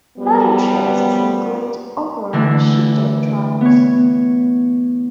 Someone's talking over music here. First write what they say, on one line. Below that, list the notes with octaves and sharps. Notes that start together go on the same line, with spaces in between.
Her interests include opera and sheepdog trials.
F#2 F3 G3 B3
D3 E3 A3 D4
B3 C#5